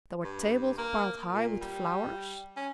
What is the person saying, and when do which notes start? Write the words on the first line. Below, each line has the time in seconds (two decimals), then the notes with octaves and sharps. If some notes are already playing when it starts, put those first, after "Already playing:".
There were tables piled high with flowers.
0.23 G2
0.78 A#3
1.31 A#2
1.60 G3
2.57 C#4